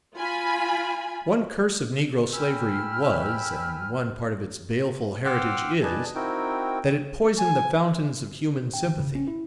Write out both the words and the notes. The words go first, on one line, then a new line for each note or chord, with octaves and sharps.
One curse of negro slavery was, and one part of its baleful heritage is, that it poisoned the fountains of human sympathy.
F4 G#5 B5
G5 G#5 B5 E6 F6
F#5 G5 C6 D6 E6 F6
B4 D5 D#5 G#5 A5
C4 D#4 E4 F#4 A#4 G5
G#5
G5
D#3
C#3
C#4
E4